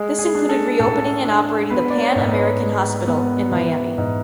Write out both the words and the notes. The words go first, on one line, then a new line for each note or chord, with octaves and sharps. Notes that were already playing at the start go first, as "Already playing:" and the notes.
This included reopening and operating the Pan American Hospital in Miami.
Already playing: G#3 G#4
G#4
D4
A4
A2 A4
D4
B3 B4
D5
C#5
G#2
C#5
B4
G#3
B3
E3
G#2